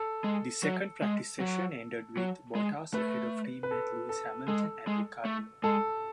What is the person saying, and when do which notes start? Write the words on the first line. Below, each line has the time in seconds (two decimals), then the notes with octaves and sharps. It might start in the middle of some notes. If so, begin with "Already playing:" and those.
The second practice session ended with Bottas ahead of teammate Lewis Hamilton and Ricciardo.
Already playing: A4
0.24 G#3
0.63 F#3
1.02 G#3
1.40 F#3
2.17 F#3
2.55 G#3
2.94 A3 B4
3.63 B4
3.71 A4
4.09 A4
4.48 G#3 A4
4.87 G#3
5.25 A3
5.64 G#3 A4